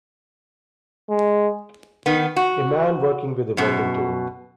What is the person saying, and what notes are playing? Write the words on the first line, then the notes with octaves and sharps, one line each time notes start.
A man working with a welding tool.
G#3
D#3 B3
F#4
F#2 B2